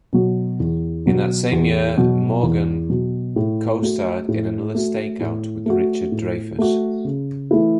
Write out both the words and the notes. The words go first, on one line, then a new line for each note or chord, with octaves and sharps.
In that same year, Maughan co starred in "Another Stakeout" with Richard Dreyfuss.
B2 F#3
E2
B2 F#3
E2
B2 F#3
E2
B2 F#3
A2
A3 F#4
A2
A3 F#4
A2
A3 F#4
A2
A3 F#4
C#3
E3 A3 E4